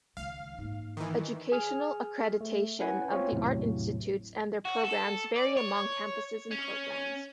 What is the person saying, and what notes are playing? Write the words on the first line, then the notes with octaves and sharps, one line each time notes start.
Educational accreditation of The Art Institutes and their programs varies among campuses and programs.
C#2 D#3 F5
G#2 A#3
D#3 E3
G#4 G#5 F6
A3
C#4 E4 B4 F#5 G#5
C4 C#4 F4 C#5
G#1 E2 A2 C3 F#3
F#4
A4
D5
C#5
C#4